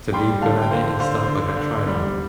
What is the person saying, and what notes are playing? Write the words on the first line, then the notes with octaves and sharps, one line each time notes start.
to be good at it and stuff, like, I tried, um,
G3 G5 C6
D3 F5 A5
G5
D3 C5 F5
D3 C5 F5
D3
D3
G3